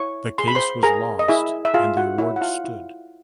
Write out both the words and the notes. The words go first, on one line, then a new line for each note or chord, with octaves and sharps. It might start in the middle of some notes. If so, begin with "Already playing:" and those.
The case was lost and the award stood.
Already playing: E4 C#5 C#6
G#4 C6
B5
C5 C6
G#4 A#4 A#5
D#5
E4 G#4 E5
E5
F4 G#4 F5
F#4 F#5
E4 C#5 E5
F#5
F4 F5
E4